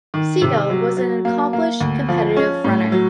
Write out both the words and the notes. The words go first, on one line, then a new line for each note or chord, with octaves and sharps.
Segal was an accomplished competitive runner.
D#3
C3
F#3
F#3
A#3
A#3
D2
F3
C#4
A2
F#3